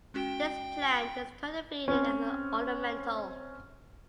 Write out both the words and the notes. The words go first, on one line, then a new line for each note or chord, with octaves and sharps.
This plant is cultivated as an ornamental.
G#3 C#4 F#4 G5
C4 C#4